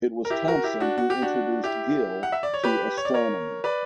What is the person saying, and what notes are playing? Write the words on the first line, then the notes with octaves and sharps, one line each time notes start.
It was Thomson who introduced Gill to astronomy.
A#4
E4 G4
F#4 A#4
E4 G4
D4 F#4
F#4
G4
D4 F#4
E4 G4
F#5
E5
D5
C#5
G4 B4
C#5
D5
A#4 C#5
B4 D5